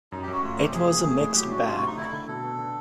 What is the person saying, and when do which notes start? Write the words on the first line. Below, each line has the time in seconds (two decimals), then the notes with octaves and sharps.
It was a mixed bag.
0.12 F#2 D#4
0.23 G4
0.28 F#2 F#4
0.43 A3 F4
0.59 C3 G4
0.74 F3 G#4
0.90 A#3
1.05 A3 G#4
1.20 A2
1.35 F#3 G4
1.51 D4 F#4
1.66 C3 F4
1.77 F#4
1.82 A3
1.87 D#4
1.97 D3 E4
2.13 D3
2.28 B2 A4
2.44 B3
2.59 D3